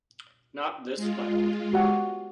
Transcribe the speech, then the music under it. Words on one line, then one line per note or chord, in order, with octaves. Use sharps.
Not this loud!
G#3 F4
F#4 G4 F#5